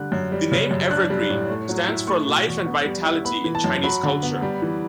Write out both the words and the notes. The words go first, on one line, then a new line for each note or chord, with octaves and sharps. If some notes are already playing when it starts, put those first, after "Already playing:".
The name "Evergreen" stands for life and vitality in Chinese culture.
Already playing: D3 G3 F#6
F#2
G3
C#3
F#2
D4 F#6
G3
A2
A3
F#3
E4
A3 C#6
B2
E2
B3
G3
E4
B3 B5
E3
A5
F#2
F#3 B5
D3
B3
G3
E3